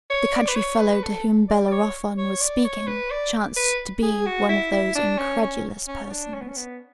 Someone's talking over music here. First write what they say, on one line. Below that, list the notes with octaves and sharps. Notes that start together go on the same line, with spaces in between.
The country fellow to whom Bellerophon was speaking chanced to be one of those incredulous persons.
C#5
D5
B4
C#5
B4
A4
D5
D5
C#5
C#5
D5
C#5
B4
D5
B4
G#4
F#4
E4
E4
D4
C#4
C#4
C#4
C#4
D4
C#4
B3
C#4
B3